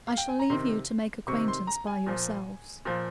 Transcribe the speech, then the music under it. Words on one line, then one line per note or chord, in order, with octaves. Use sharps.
I shall leave you to make acquaintance by yourselves.
F5
G5
G#5
A#5
C3 D#3 C6
C3 D#3 C#6
C6
A#5
G#5
A#2 F3
A#2 F3